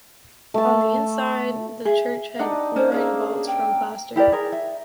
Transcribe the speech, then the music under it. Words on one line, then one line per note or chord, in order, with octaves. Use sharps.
On the inside the church had groin vaults from plaster.
A3 A5
G#4 E5
D4 D#4 G4 F#5
C#4 C5
A#3 G#4 E5
G5
E4 G4 A#4 D5
G#4 A#4
E5